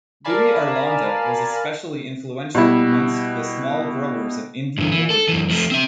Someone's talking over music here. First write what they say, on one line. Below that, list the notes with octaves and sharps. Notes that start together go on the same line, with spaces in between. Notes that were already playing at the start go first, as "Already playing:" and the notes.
Louis Arlanda was especially influential amongst the small growers of Indian origins.
A#4 D5 F5 G#5 A5 B5
B2 G3 E4
G2 E3
E3
A4
F#2 E3
F3 A3
C4 E5